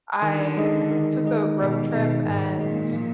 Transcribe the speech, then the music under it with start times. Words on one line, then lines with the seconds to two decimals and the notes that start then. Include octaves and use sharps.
I took a road trip and
0.22 D3 D#3
0.56 G#3 D#4 G#4 D#5
0.91 D#3
1.24 G#3 D#4 G#4 D#5
1.58 B2 D#3
1.91 B2 G#3 D#4 G#4 D#5
2.25 G#2 D#3
2.59 A#2 G#3 D#4 G#4 D#5
2.94 F3